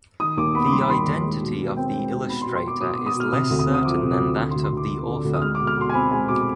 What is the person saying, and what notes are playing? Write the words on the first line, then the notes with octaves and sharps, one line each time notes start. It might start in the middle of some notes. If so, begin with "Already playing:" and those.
The identity of the illustrator is less certain than that of the author.
D#3 D#6
D#2 D6
B3 B5
D6
G3 C6
B5
D#3 C6
D#2
G#3
B2
B2
C4 G5
G#3
B2
B3 B5
C6
B2
C6
B3 D6
B2 D#6
B3 D6
D#6
B2 F6
C3 D#6
D2
D#6
C4
D#6
F3 D6
C3
D6
D2
D3 C6
C6
D2
C6
D2 D6
F3
D3
D2
D#6
G#3 F6
D6
B2
F6
B2 C6
G#5
C4 B5
G#3 G#5
B2 D6